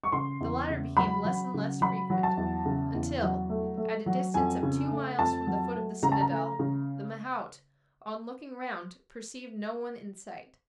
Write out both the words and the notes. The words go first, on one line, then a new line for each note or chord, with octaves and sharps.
The latter became less and less frequent, until, at a distance of two miles from the foot of the citadel, the mahout, on looking round, perceived no one in sight.
C#6
C#3 C6
E2
C#3
F#3 B5
F#3
C#3
F#3 B5
F#3
A5
E2
C#3
E2
F#3
A3
A3
F#3
F2 G#5
C#3
A3
F2 A5
F#3
A3
C#3 A#5
A5
A#5
A3
C#3